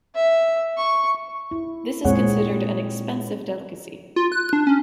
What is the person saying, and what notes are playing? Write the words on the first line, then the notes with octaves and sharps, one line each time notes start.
This is considered an expensive delicacy.
E5
C#6
E4
A#2 G#3 C4 G#4 C#5 F#5
F4
F#6
D4
C#4